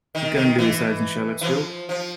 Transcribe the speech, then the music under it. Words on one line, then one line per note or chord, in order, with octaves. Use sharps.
He currently resides in Charlottesville.
D#3
D#3
E3
E3
F3
F3